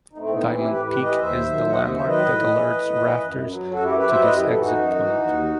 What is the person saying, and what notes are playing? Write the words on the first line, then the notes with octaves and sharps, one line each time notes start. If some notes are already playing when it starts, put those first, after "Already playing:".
Diamond Peak is the landmark that alerts rafters to this exit point.
D#4
A2 A3 C4
B3 D#4
E3 C4 E4
E4 G4
A2 G4 B4
G4 B4
E3
B4 D#5
D#2 C5 E5
D#3 F#3
D#2 D#5 F#5
C5 E5
D#3 F#3 C5 E5
B4 D#5
A2
E3
A2
E3
F#2
F#3
F#2 F#4 A4
E4 G4
F#3 G4 B4
C5 E5
F#2 B4 D#5
E4 G4
E3 F#4 A4
D#4 F#4
F#2
E3
D#2